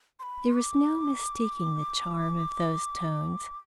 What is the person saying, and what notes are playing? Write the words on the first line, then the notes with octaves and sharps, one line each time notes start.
There was no mistaking the charm of those tones.
C6
B5
D6